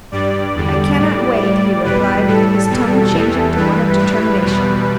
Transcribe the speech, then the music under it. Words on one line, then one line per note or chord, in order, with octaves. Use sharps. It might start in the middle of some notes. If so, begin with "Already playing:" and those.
"I cannot wait," he replied, his tone changing to one of determination.
G2 G3 D5
E2 D3 G3
A2 G3
A2 G3
E2 B2 G3 B4
A2 G3 A4
E2 B2 G3
E2 E3 G3
G2 E3 G3 B4
A2 E3 G3 B4
E2 B2 G3